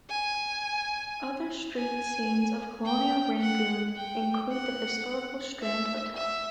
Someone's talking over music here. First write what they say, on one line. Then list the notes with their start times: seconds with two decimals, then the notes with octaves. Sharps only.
Other street scenes of colonial Rangoon include the historical Strand Hotel.
0.10 G#5
1.76 G#5
2.85 G5
3.41 F#5
3.96 G5
4.51 F#5
5.61 E5
6.17 E5